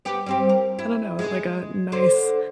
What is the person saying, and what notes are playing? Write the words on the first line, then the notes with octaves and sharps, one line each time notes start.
I don't know, like a nice
B3 G4
G3 C4 G4
A#4
E4
G#3
D3 C5